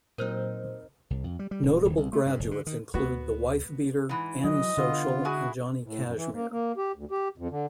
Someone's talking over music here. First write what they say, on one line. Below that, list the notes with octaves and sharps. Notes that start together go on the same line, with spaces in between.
Notable graduates include The Wifebeater, Annie Social, and Johnny Kashmere.
A#2 F#3 C4 D#4 A#4 C5 F6
C2
F2
G3
G3
D#1
D1
C2
A3
G2
F1
D3
D#3
D2 B3 F#4
G#2 E3
F#3 D#5
D3 B3 F4
G#3 E4 F#4 G#4
A2
F#2
E3
A#3
A#3
G4
D2
G4
F2
D3